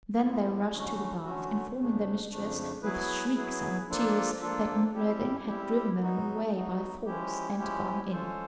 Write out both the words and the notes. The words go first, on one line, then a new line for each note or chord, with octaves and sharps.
Then they rushed to the bath, informing their mistress with shrieks and tears that Noureddin had driven them away by force and gone in.
A2 F3 G#3 B3 E4
D3 F#3 A3 C#4 F#4
D3 F#3 A3 C#4 F#4
F2 C#3 F3 A3 D4
F2 C#3 F3 A3 D4
F#3 B3 E4 G#4 B4
F#3 B3 E4 G#4 B4
F3 A#3 D4 F4 A4
F3 A#3 D4 F4 A4
G3 C4 E4 G4
G3 C4 E4 G4
F#3 B3 D#4 F#4
F#3 B3 D#4 F#4
F3 G#3 C#4 E4 G4
F3 G#3 C#4 E4 G4
G#3 C#4 F4 A4 C5